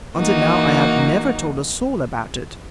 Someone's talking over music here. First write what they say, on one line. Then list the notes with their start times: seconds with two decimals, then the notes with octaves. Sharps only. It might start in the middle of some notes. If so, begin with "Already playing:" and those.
Until now I have never told a soul about it.
0.17 E3 A#3 D#4 F#4